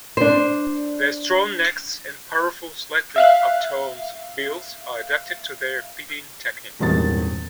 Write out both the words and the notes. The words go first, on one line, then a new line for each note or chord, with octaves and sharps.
Their strong necks and powerful, slightly upturned bills are adapted to their feeding technique.
D4 C5
E5 F5 F#6
D#1 G#1 E2 G2 A#3 A6